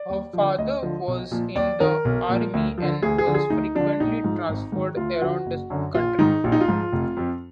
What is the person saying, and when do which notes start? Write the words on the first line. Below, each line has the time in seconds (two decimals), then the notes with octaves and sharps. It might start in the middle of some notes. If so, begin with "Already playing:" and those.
Her father was in the Army and was frequently transferred around the country.
Already playing: D5
0.09 D#2
0.33 D3 F3
0.58 D2 D#5
0.82 D3 F3
1.07 B1
1.31 A#2 F3
1.55 D#2 D5
1.80 D#3 A#4
2.05 B1
2.29 A#2 F3
2.54 D2
2.78 D3 F3
3.02 D2 G#4
3.18 G#4
3.27 D3 F3
3.34 G#4
3.50 D2 D#4
3.75 D3 F3 D4
4.00 A#1 D#4
4.24 G#2 F3
4.49 G#1
4.72 G#2 D#3
4.97 D2 F4
5.21 D3 F3 F#4
5.46 F#1
5.70 F#2 D3
5.94 A#1 F4
6.18 G#2 D#3 D#4
6.44 A#1 F4
6.52 D#4
6.60 F4
6.68 G#2 F3
6.92 F1
7.17 F2 F3